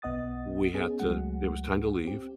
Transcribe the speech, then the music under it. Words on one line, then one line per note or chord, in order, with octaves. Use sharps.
we had to it was time to leave,
B1 B3 D#5 F#5 D#6 A6
B3 C#4 G#4
C#2 F#3 G#3 A3 F#5
C4 G4